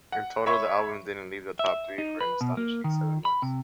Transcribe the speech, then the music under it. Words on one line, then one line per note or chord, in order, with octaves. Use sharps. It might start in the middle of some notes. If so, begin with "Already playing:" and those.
In total, the album didn't leave the top three for an astonishing seven months.
F#5
C#5 E5 B5 C#6
E5
D#4
B4
B2
A#3
D#3
B5
C3